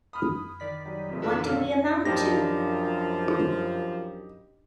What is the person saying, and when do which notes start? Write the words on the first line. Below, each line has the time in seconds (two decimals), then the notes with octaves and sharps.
What do we amount to?
0.13 B5 D#6 F6
0.60 D#3 D5 B6
0.86 F#3 G3 D#4
1.09 F1 F2
1.22 D3 E3 F4 A#4 B4 E6
1.43 B1 A#3 D4 A4 A#4 F5 F6
2.05 F#2 F3 D4 D#4 G4 A#6